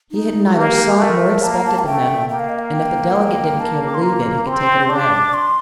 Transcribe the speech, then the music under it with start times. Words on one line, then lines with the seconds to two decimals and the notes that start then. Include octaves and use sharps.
He had neither sought nor expected the medal; and if the delegate didn't care to leave it he could take it away.
0.11 D#4
0.45 F4
0.54 A#3 G4
0.98 A3 A#4
1.42 A#3 A5
1.54 A#5
1.66 A5
1.79 F5
1.85 A3 G5
2.29 A#3 G5
2.39 F5
2.49 D#5
2.59 F5
2.73 G5
3.10 F5
3.16 G5
3.60 A5
3.86 D6
3.94 C6
4.03 A#5
4.47 C4 C6
4.89 D4 D6
5.34 C6